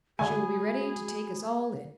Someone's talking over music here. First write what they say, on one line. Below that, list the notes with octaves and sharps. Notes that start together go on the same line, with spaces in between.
She will be ready to take us all in.
D3 G#3 A3 F#4 G#4 G#5 B5